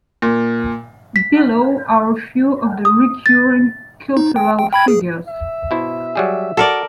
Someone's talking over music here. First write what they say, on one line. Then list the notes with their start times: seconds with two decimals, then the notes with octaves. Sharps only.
Below are a few of the recurring cultural figures.
0.22 A#2
1.16 B6
2.85 D#6
3.26 A6
4.17 D#4
4.36 G5
4.59 G5
4.73 G5 B5 G#6
4.88 G#4
5.28 E5
5.71 B2 E4 C5
6.15 F#3 G3 G#4
6.57 F#4 A4 A#4 D5